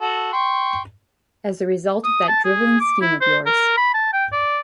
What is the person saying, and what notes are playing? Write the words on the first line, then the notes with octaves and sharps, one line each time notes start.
As the result of that drivelling scheme of yours.
F#4 A4
G5 C6 C#6
D#6
A5
G#4
D6
E4
C5
A#4
B5
A5
G5
D5